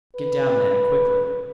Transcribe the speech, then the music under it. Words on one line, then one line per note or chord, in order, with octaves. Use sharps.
"Get down then and quickly."
B4